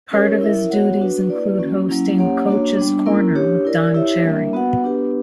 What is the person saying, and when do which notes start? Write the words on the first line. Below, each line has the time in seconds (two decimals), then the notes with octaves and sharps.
Part of his duties include hosting "Coach's Corner" with Don Cherry.
0.11 C#4 G4 A#4 C#5
0.41 E4 A#4 E5
0.70 B3 F#4 C#5 F#5
1.00 D4 F#4 B4
1.30 A#3 E4 B4 D5
1.59 A#3 C#4 F#4
1.89 F#3 A#3 C#4 E4
2.18 A#3 C#4 G4 C#5 F#5
2.47 A#3 D4 F#4 C#5
2.77 G3 B3 D4
3.06 A#3 C#4 E4 A#4
3.35 D4 G4 C#5
3.65 E4 A#4 D5
3.94 E4 G4 C#5 E5
4.24 G3 A#3 D4 A#4 E5
4.53 B3 F#4 B4 F#5
4.82 B3 D4 G4 B4